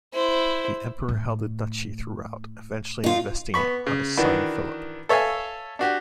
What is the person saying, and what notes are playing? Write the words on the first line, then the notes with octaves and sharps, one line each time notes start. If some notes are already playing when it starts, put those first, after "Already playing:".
The emperor held the duchy throughout, eventually investing it on his son Philip.
E4 C5
A2
D#4 F4
B3 B5 C#6
C#3
D#3 E3 D4 F#4 B4
A4 C#5 E5 F5 G#5
D4 F#4 G4